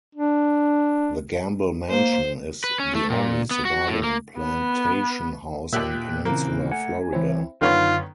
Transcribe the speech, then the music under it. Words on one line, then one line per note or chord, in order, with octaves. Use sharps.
The Gamble Mansion is the only surviving plantation house in peninsular Florida.
D4
A#3 C5
B4
C#4
A3
A#2
B3
F#4
A2
A#3
B3
D#2 A#2 G4 E5 F#6
C#3 E3 A#3 C4
A3 F#5 G#5
E3 C4 E4 C#5
F#2 D3 D#3 B3 C#4 D#4 F4